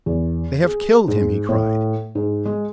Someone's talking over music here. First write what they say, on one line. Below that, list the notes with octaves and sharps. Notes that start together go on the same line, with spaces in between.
"They have killed him!" he cried.
E2
G#4
G#2
A2
G#2
G#3